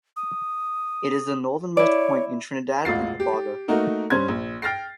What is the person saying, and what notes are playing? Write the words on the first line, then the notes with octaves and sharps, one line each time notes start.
It is the northernmost point in Trinidad and Tobago.
D#6
E4 C#5 D5
E1 A1 F4 A6 C7
G4
A3 A#3 D#4 F#4 A#4
G2 C#4 C5 C6 G#6
A#1
G5 F6 A6 A#6 C7